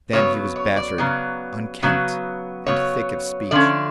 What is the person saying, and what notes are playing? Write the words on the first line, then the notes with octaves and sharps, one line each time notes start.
Then he was battered, unkempt, and thick of speech.
C#3 F#3 B3 C#5
C#5
D5
C#3 F#3 B3
C#3 F#3 B3
C#3 F#3 B3 C#5
D3 F3 A3 C#4 D5